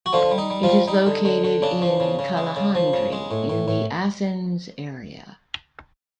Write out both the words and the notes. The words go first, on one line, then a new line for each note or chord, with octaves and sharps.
It is located in Chalandri in the Athens area.
F#4
D3 F3 F4
G3
D#4
G3
F3 F4
G3
G3 D#4
D3
D3
D3
C#3 D4
F3
C#3
C#3
G#3
C#3
F3
C#3
G#3
A2
A2
A2